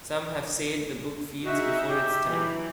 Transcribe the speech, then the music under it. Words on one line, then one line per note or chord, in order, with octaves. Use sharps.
Some have said the book "feels before its time".
D#4 F#4 G#4 E5
G4
E3 F#3